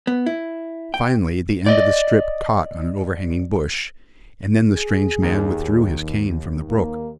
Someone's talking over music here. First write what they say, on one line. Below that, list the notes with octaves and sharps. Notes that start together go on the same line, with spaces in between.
Finally the end of the strip caught on an overhanging bush, and then the strange man withdrew his cane from the brook.
B3
E4
G5
D5 D#5
G#4
D#2
A#3